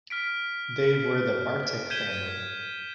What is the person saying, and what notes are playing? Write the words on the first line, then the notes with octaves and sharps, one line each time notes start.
They were the Bartik family.
F6 B6 D7
G6 G#6 B6 D#7 E7 G7